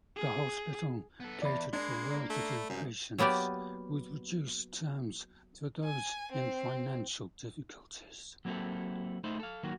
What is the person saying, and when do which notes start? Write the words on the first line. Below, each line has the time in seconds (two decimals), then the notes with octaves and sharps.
The hospital catered for well-to-do patients, with reduced terms for those in financial difficulties.
0.16 G#4
1.20 B3 A4
1.42 E2 D5 B5
1.73 G#3 A#3 D4 A#4
2.30 A3
2.70 C2 F#2
3.18 F#3 A#3 B3 G4 D5
5.84 G#5
6.32 C4
8.45 F#3 A#3 C4 E4 G4 A4
9.24 A3 D#4 E4 C5
9.40 A4 F5
9.63 D#3 F#3 A#3 F#4